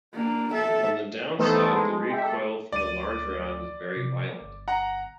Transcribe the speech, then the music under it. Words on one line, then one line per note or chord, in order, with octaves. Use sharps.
On the downside the recoil from the large round was very violent.
A#3 D4
A4 E5
E3 A3 B3 D#4 A4 C5
G#3
G4 E5
A4
D2 D5 D#7
C3
G1
F#5 A#5